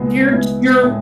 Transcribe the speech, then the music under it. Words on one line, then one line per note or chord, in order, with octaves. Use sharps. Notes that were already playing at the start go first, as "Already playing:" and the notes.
you're you're
Already playing: C#2 B2 G#3 B3 E4 E5
C#2 B2 G#3 B3 E4
A2 G#3 E5